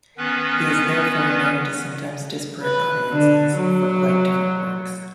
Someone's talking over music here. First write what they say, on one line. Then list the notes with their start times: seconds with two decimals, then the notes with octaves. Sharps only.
He is therefore known to sometimes disparate audiences for quite different works.
0.17 D#3 B3 C#4 B4
2.63 B4
3.12 D3
3.57 F#3